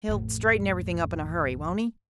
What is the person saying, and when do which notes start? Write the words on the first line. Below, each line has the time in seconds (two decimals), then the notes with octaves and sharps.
"He'll straighten everything up in a hurry, won't he?"
0.08 A1 F2